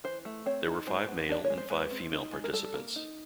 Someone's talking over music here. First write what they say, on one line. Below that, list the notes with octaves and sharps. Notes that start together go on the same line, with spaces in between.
There were five male and five female participants.
E3 C5
A3
C4 C#5
D#4
G#3 C5
B3
D4 D5
C#5
G#3
C5
G#3 B4
C4
D#4
G#3
A#4
G3 A4
A#3
D#4